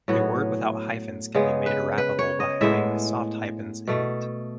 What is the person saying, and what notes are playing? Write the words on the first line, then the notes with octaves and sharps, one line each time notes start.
A word without hyphens can be made wrappable by having soft hyphens in it.
A2 F#3 B3
C#3 G#3 B3
B4
B4
C#5
D#5
A2 G#3 B3 E5
B2 A3